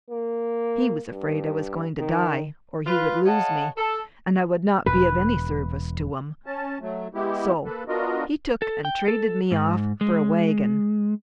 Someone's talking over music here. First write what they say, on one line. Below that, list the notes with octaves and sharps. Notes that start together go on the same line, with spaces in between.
He was afraid I was going to die, or he would lose me, and I would not be of any service to him, so he took and traded me off for a wagon.
A#3
G2
D#3
F4 B4
G#4 C#5 D#5 F5 F#5 A5
A4
E1 B4
C#4 A5
F#3 A3
G#3 B3 E4 G4
A#3 A4 B4
B3 D4 F4 F#4 A#4 D#5
A4
G5
A4
G#2
G#3